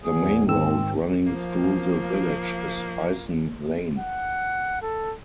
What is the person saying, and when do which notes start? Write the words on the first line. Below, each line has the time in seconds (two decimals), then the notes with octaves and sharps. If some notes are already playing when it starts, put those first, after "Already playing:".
The main road running through the village is Icen Lane.
0.04 E2 G#4
0.47 G#2 D#3 C4 E6
1.26 F3 A#3 F4
3.99 F#5
4.82 A4